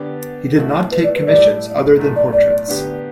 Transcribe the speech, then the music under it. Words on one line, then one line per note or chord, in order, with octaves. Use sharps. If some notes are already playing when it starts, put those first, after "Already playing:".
He did not take commissions other than portraits.
Already playing: D3 B3 G4 D5
B2 A3 E4
B4
D5
B4
A2 G3 E4 D5
B1 A2 A3
D5
D5
D3 B3 G4